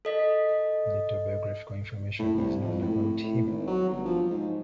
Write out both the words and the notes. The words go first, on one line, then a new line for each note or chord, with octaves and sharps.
Little biographical information is known about him.
A4 D#5 B6
A2
C2
F2
A2
A2
G#1
F#3
G1
F3
G#2